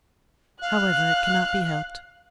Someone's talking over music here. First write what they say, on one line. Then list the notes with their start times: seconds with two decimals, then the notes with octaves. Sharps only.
However, it cannot be helped.
0.62 F5 F#6